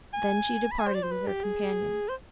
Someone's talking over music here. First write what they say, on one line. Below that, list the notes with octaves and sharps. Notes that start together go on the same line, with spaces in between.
Then she departed with her companions.
G#5
B5
G#5
C5
D5
C5
B4
G4
G#4
C5